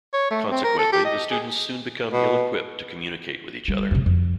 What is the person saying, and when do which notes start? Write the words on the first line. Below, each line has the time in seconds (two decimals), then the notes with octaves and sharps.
Consequently, the students soon become ill-equipped to communicate with each other.
0.13 C#5
0.30 A3
0.51 C4
0.64 A#4
0.79 A4
0.92 G4
1.05 D#5
1.30 G#4
2.13 B2
3.68 G3
3.91 F#2 C3
4.06 F2